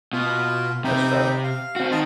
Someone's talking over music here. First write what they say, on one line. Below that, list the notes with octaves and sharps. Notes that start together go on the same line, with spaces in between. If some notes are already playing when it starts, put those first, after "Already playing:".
That's tough.
B2 F4
C3 D#4 G5 B5
F5
C4 F#4
D#3 D#5 A5 C6